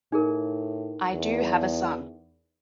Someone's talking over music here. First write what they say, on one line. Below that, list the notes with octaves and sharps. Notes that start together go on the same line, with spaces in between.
I do have a son.
A2 D#4 G#4 A#4
E2